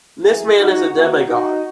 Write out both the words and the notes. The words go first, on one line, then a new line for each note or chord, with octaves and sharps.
This man is a demagogue.
F#1 F#2 E3 G#3 E4 G#4
D#4 F#4
D#2 D#3 A#3 D#4 F#4
D#4 F#4